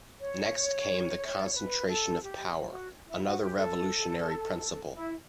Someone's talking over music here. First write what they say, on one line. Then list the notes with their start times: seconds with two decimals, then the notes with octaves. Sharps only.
Next came the concentration of power, another revolutionary principle.
0.20 C#5
1.24 E5
1.34 D5
1.45 C#5
1.56 B4
1.89 A4
2.23 G4
2.68 F#4
3.07 E4
3.24 F#4
3.41 G4
3.58 A4
4.94 E4